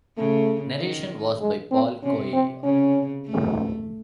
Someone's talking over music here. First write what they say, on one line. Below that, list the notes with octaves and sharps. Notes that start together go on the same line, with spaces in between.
Narration was by Paul Coia.
C#3 A3
D#3
G#3
C4
C3 C#4
C4
C#3 C#4
A3